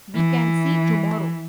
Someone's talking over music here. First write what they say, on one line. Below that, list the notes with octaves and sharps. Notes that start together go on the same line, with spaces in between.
We can see tomorrow.
E3